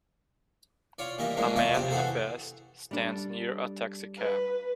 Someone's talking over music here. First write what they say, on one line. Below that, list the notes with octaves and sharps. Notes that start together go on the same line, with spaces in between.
A man in a vest stands near a taxi cab.
F4 C#5 D5
E3 G3 A#3 E4 D#5
F3 F#3 G#3 A#3 D4
F3 A#3 D5 E5 C#6 D#6
A#1 C3 G4 G#4 C5
E3 F#4 G#4 A4 C5
G3 D4 A4
B4